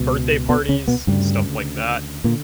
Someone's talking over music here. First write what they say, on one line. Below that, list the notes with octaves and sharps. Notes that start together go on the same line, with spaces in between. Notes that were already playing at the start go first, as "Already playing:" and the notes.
birthday parties, stuff like that.
Already playing: C#2 B2
B2 B3
C#3 C#4
B2 B3
D2 G2 C#3 G3
A#2 D3 A#3